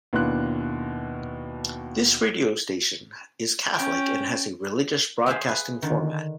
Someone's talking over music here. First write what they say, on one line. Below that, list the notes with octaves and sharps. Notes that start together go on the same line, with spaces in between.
This radio station is Catholic and has a religious broadcasting format.
D#2 B2 D4 E4 C6 F#6
C#4 G5
G#4 C5 E5 F5
B4
D3 D#3